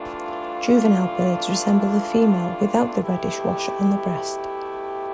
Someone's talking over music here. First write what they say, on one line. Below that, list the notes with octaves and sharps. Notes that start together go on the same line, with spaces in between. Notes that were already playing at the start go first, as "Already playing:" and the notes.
Juvenile birds resemble the female without the reddish wash on the breast.
Already playing: G2 E3 A3 D4 F4
B2 A3 E4 G4